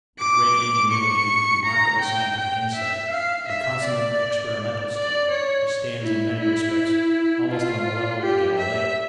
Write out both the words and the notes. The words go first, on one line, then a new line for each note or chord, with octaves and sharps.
With great ingenuity, remarkable scientific insight, and consummate experimental skill, he stands in many respects almost on a level with Galileo.
D6
C#6
A#5
G5
G5
E5
F5
E5
D5
D5
C#5
E4
E4
F4
G4
E5